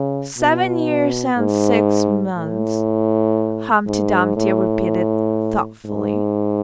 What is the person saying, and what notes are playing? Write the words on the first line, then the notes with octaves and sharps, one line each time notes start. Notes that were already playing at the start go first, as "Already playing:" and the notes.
'Seven years and six months!' Humpty Dumpty repeated thoughtfully.
Already playing: C#3
B2
G#2
A2
G#2
A2
G#2